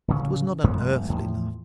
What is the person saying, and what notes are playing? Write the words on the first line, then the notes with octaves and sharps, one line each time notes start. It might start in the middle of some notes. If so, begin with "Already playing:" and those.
It was not an earthly love.
D1 C#3 C#4
A1 F#2 G#3 B3
E2 A2 F3